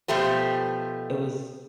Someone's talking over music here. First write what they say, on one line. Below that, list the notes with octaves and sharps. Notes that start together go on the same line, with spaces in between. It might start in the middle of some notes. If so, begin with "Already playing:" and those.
It was
B2 F3 A3 G4 C5